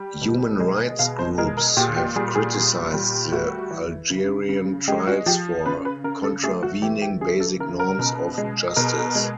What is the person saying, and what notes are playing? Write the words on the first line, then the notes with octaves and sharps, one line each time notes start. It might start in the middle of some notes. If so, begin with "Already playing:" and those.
Human rights groups have criticised the Algerian trials for contravening basic norms of justice.
Already playing: G3
B2
G#3
B2 F5
C5
G#3 A#4
A#4
A#2 G4
G4
G3 G#4
G#4
A#2
G3
A3 F#4
E3
C#3
C#3
G#3 G4
F#4
F3 G4
C#3 B4
B4
C#3 A#4
A4
A3 G#4
F#4
E3 G4
G4
C#3 G#4
A4
C#3 A#4
A#4
B2
G#3
B2 A#4
G#3